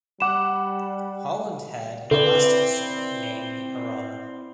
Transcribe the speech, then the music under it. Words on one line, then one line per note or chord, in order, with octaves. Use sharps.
Holland had an Elastica song named in her honour.
G3 F#5 B5 D6 E7
D3 C4 E4 B4 D5